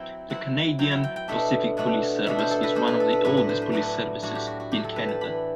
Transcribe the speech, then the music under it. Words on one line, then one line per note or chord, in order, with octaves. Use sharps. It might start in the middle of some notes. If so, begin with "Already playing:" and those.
The Canadian Pacific Police Service is one of the oldest police services in Canada.
Already playing: F#3 C4 E4 G5
F#3 C4 E4 F#5
F#3 C4 E4 G5
G5
G5
G5
B2 A3 D4 E5
B2 A3 D4 F#5
B2 A3 D4 E5
C5
A4
B4
B2 A3 D4 C5
B4
A4
B4
A2 F#3 A3 D4 B4
B4
C5
B4
A2 F#3 A3 D4 B4
A2 F#3 A3 D4 F#4
G4
F#4
F#4
A2 F#3 A3 D4 G4
A4
B4
A5
E3 A3 D4 B5